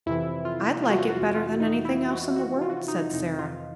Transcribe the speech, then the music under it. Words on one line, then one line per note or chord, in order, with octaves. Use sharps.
"I'd like it better than anything else in the world," said Sara.
F2 C3 E3 E4
F4
F4
F#4
F4
F#4
F4
D#4
E4
F#4
F#4
F4
F#4
F4
D#4
F2 C3 E3 D#4
F4